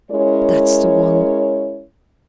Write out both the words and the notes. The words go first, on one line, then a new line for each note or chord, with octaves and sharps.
That's the one.
G#3 C#4 E4 A#4 C#5